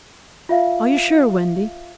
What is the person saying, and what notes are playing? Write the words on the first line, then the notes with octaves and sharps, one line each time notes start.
"Are you sure, Wendy?"
F4 E5 F5